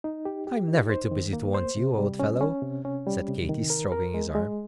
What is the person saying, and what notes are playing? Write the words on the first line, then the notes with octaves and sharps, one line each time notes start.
"I'm never too busy to want you, old fellow," said Katy, stroking his arm.
D#4
G4
G4
D#4
C5
D#3
A#3
C5
C3
G3
C#4
C#4
C3
C#4
G3
C3
D#3
A#4
A#4
G#3
G#3